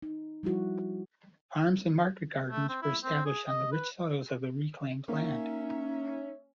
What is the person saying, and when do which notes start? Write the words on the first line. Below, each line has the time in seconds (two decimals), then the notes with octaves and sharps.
Farms and market gardens were established on the rich soils of the reclaimed land.
0.02 D#4
0.43 F3 G3 E4 F#4
2.51 A3
2.69 C4
2.82 E4
3.04 C4
3.25 G#4
3.47 D#5
3.72 B4
5.08 A#3 C#4 D#4 E5